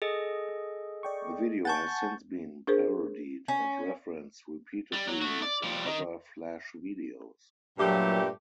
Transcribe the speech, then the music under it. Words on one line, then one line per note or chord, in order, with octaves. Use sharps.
The video has since been parodied and referenced repeatedly in other flash videos.
G#4 A4 D#5
D5 G5 C#6
F#5 G#5 A5 C#6 G6 A6
D4 G#4 A#4 C5
C#4
G3
F#3
A3 F#4
D5
F3 G3
D#3
G2 A#2 F#3 A3 G4